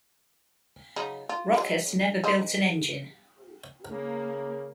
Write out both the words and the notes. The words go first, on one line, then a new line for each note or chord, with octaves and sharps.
Rochas never built an engine.
C#3 F#3 D#4
F4
F#3 G#3
G#3 C5 D#5
C#3 A#3